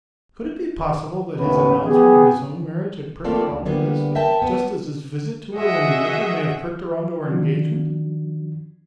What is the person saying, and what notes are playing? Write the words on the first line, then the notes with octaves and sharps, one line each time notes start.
Could it be possible that his announcement of his own marriage had pricked her on to this, just as his visit to her when in liquor may have pricked her on to her engagement?
A1 D#2 A2 B3 C#4 B4
B3 G4 G#4
A3 A#3 C4 F4 A4 D5
D2
D3 E3 G3 A#3 B3
A#4 E5 G5 A5
B3 B4
F#4 G#4 D#5 E5 F#5
D#3 F3 D4 F#4